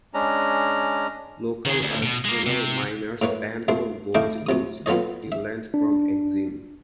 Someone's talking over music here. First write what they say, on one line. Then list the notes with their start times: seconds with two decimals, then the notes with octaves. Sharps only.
Local artisanal miners pan for gold in streams inland from Axim.
0.14 G#3 C#4 D4 A#5
1.65 D#3 G#4
1.82 D2
2.03 B2
2.25 G#3 A#3
2.47 C3
3.22 A2 A#3 B4 C#5
3.68 C2 A#2 A3 C6
4.15 A3 D4 E4 D#5 F5 G5
4.46 D2 C3 D#6
4.86 B3 F4 A4 C#5 D#5
5.32 E5
5.74 D4